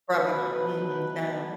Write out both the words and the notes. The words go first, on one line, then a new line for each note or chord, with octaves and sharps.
Probably not. Mm-mm, no.
B2 F#3 A3 B4